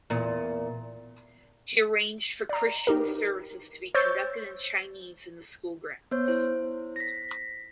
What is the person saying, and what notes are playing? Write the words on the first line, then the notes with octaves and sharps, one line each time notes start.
She arranged for Christian services to be conducted in Chinese in the school grounds.
E2 A#2
D5 A#5
D#4 G4 A#4
C5 C#5 C#6 E6 G6 A6
B3 C5 C#5 G6
E4 C5
A#6 B6